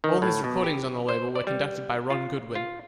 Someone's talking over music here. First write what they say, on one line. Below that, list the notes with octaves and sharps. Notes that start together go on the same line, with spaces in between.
All his recordings on the label were conducted by Ron Goodwin.
D#3
A2
B2
G4
C5
D5
G3
F4
F4